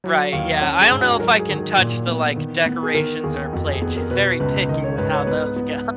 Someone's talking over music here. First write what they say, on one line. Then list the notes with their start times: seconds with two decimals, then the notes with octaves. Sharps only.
Right, yeah. I don't know if I can touch the, like, decorations or plates. She's very picky with how those go.
0.04 F#3
0.33 D#2 F5
0.61 C#4 F#5
0.81 G#4
0.91 G#2
1.01 F#4
1.19 F#3 A#4
1.39 G#4
1.49 D#3
1.58 G#4
1.78 A#2
2.07 B3
2.36 D#3
2.66 B3
2.83 G#4
2.94 D#3 A#4
3.24 D#2 G#4
3.53 F2 F#4
3.67 G#4
3.82 B3 G#4
3.96 A#4
4.11 B2 B4
4.40 C#2 B4
4.69 D#3 D#5
4.84 C#5
4.98 G#2 B4
5.13 C#5
5.27 B3 B4
5.56 B3